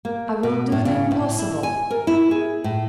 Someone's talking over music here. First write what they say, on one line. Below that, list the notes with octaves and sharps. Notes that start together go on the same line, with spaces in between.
I will do the impossible.
A#3
B2
A2
C#3
A2
E4
G#5
A#4
E4
G#4
A2